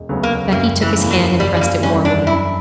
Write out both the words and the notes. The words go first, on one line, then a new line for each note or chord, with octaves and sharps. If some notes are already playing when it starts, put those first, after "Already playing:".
Becky took his hand and pressed it warmly.
Already playing: E1
D2 C#3 F#3 B3
A#3
F#1 A#3
E3
E2 C#3 E3 A#3
F#3
F#1 G3
G3
A#3
E2 D3 G3 C#4
D4
F#2 E4